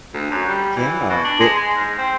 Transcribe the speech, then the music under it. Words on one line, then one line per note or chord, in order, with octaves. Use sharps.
Yeah, it yeah,
D2
F#2
G3
E3
B2
D4
G#3
G#3
G#2
C4